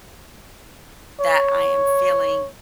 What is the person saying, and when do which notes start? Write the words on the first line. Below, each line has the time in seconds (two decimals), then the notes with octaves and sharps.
that I am feeling
1.20 C#5